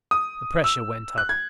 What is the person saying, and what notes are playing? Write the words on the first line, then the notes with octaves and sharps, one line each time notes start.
The pressure went up.
D#6
E6
F#6
G#6